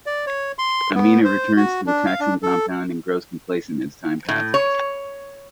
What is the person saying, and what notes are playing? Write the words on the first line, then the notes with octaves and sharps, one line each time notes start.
Amina returns to the taxing compound and grows complacent as time passes.
D5
C#5
C6
B3
C5
F#4
D4
F5
D4
A4
A2
C#5